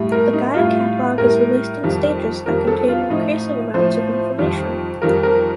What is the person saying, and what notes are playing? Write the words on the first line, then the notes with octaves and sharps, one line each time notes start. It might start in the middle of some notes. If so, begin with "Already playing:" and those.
The Gaia catalogue is released in stages that contain increasing amounts of information.
Already playing: A2 G3
A#4
D#4
A2 G3 F4
A2 G3 A#4
F2 D#3 G3
F2 D#3 G3 A#4
A4
F4
A2 F3 D#4
A2 F3 C5
F2 D#3 G3
F2 D#3 G3 A#4
A#4